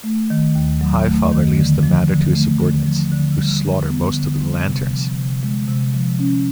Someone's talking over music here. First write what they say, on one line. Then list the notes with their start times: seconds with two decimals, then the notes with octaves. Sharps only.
Highfather leaves the matter to his subordinates, who slaughter most of the Lanterns.
0.04 A3
0.30 D#3
0.55 D#2
0.81 F#3
1.07 A3
1.32 D#3
1.58 D3
1.83 F3
2.09 D3
2.34 A3
2.61 D3
2.86 F3
3.12 D3
3.38 G3
3.63 D3
3.89 B3
4.14 D3
4.39 G3
4.65 C3
4.91 F3
5.16 C3
5.43 G#3
5.68 C3
5.94 F3
6.19 C#4